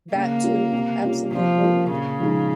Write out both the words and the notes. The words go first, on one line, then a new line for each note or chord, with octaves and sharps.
That too, absolutely.
C#3 A#3
G3 C#4 F4
C3
G3 C#4 F4
C3 F3
G3 A#3 F4
A#2 C#3
F3 G#3 D#4